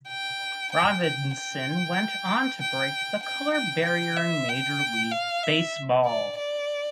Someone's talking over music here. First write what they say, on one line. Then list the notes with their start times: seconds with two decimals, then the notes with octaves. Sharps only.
Robinson went on to break the color barrier in Major League Baseball.
0.09 G5
0.72 G5
1.03 G5
1.35 G5
2.61 G5
3.22 G5
3.54 G5
3.85 G5
4.17 E5
4.49 G5
5.11 F5
5.43 E5
6.05 D5
6.38 D5